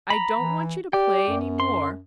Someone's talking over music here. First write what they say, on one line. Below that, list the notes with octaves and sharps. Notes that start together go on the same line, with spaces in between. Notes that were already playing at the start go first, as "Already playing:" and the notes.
I don't want you to play any more.
A#5 B5
E3
G4 D5 G5
F#2
C6